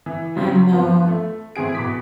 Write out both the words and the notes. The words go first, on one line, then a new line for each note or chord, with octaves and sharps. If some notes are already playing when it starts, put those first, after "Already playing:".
I know.
E3
C#3 F#3 C4
G2 B3 C4
A3
A2 E3 C4 G#4 D7
B2 D6 B6